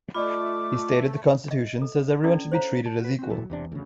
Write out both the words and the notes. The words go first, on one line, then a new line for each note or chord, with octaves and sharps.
He stated The Constitution says everyone should be treated as equal.
A3 F4 D5 D#5 B5 D6
D#5 E5
A4
C#4 D4 E4 A4 D5
C5 C#5 F5 A#5
A5
F#4 B4
C4 F#4
D#1 A#2 F#3 E4 A4
E1 E2 C3 D4
D2 C#3